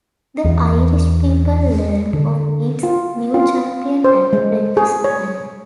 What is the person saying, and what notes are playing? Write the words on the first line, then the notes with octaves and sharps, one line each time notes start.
The Irish people learned of its new champion at breakfast time.
E2
D3
F4
F4
C5
G#3
G#4
C#5